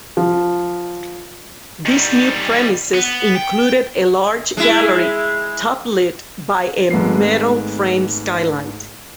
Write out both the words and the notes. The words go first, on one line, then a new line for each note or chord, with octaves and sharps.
These new premises included a large gallery top-lit by a metal framed skylight.
F3
D#3 G3
B3
G5
G#3 E4
G#1 G#2 A3 B3 C7